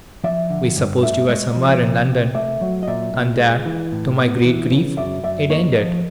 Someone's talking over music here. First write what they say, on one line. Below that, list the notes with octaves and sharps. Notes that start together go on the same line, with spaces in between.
We supposed you were somewhere in London; and there, to my great grief, it ended.
F3 D5 E5
D3
G2
A3 D5 E5
G#3 C#5 D#5
F3
C3
C3
A3 D5 E5
F#3
D#5
A#2 D5 E5
A#2
G#3
E3
A2
B3
E3
C#3
F#2 D5 E5
F#2 D5 E5
A#3 C#5 D#5
F3